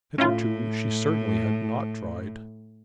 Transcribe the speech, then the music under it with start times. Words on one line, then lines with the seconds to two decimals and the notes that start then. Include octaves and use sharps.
Hitherto she certainly had not tried.
0.18 A2 C#4 E4 F4